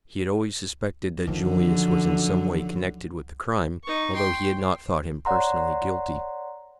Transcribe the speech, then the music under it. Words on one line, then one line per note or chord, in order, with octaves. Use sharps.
He had always suspected that Julius was in some way connected with the crime, although he had not thought him personally guilty.
F#2 D3 D#3 F3
D#4 C#6
G5 C6
C#5 D5 F#5 A#5 C6